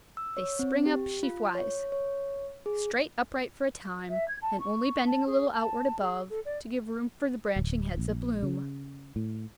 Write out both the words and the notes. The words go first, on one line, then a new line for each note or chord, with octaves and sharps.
They spring up sheaf-wise, straight upright for a time, and only bending a little outwards above, to give room for the branching heads of bloom.
E6
C#5
C4
G4
F4
C#5
C#5
G#4
E5
G#6
A5
C#6
A5
G#4
A5
G#4
A4
D5
D1
A#1
C#3
A2